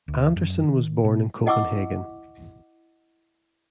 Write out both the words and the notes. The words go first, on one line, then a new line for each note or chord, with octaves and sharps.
Andersen was born in Copenhagen.
D2
F#2
D#3
B2
E4 D#5 F#5 C#6 D6 E6